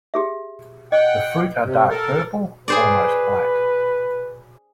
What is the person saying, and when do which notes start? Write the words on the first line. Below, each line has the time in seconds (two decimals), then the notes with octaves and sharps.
The fruit are dark purple, almost black.
0.14 G4 G#4 E5
0.92 D#5 F#5 G5
1.65 C3
1.90 A4 A#4
2.68 G#4 B4 C5 D5